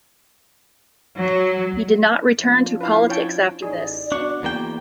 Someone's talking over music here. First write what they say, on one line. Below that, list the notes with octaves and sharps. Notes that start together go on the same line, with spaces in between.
He did not return to politics after this.
F#3
F3 C#4 D4
E4 B4 F5
C#5 G5 A5
A1 D#4 G#4 D5
B3 D4 F#4 C#6
E2 A#3 G5